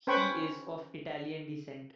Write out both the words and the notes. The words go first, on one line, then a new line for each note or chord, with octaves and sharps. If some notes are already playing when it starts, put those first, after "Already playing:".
He is of Italian descent.
C#4 B4 C5 G5 B5 C#6